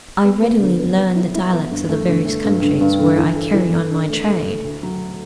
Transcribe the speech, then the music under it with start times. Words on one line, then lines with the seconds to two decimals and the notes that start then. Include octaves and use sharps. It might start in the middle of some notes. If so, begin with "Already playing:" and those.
I readily learn the dialects of the various countries where I carry on my trade.
0.24 B3
0.42 B3
0.60 D3
0.79 B3
0.97 B3
1.16 E4
1.35 E4
1.53 B3
1.71 G2
1.89 A3
2.08 D3
2.26 A3
2.45 G2
2.62 D3
2.81 G2
2.99 D3
3.18 E3
3.36 A4
3.54 E3
3.73 A4
3.91 D4
4.10 A3
4.28 A4
4.47 A3
4.64 D2
4.83 F#3